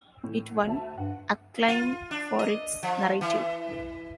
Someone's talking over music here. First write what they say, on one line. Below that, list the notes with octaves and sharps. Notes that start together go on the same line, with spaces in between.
It won acclaim for its narrative.
A2 E3
D2 E5 A5
G2 F#5
F4
D4
D#5
F3
E3